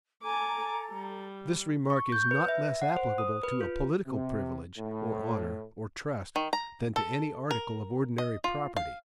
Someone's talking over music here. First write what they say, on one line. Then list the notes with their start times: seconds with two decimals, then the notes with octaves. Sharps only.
This remark is not less applicable to a political privilege, or honor, or trust, than to any article of ordinary property.
0.23 A4 G#5 A#5 D6
0.92 G3
1.90 C#6
2.12 G6
2.31 B4
2.48 E5
2.82 F#5
2.97 C5
3.18 D#6
3.43 B4
3.61 F4
4.07 C3
4.78 A2
6.36 D#3
6.53 A#5
6.96 A4
7.51 A#4
8.18 D#5
8.44 F4
8.76 F5